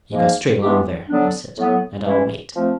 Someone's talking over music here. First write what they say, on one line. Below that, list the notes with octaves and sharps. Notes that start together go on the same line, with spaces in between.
"You go straight along there," he said, "and I'll wait."
G#2 F3 A#3
E3 G#3 B3 D4 G4
D3 F#3 B3 D4
A2 F#3 B3
E3 G#3 C#4 E4
F3 A3 C4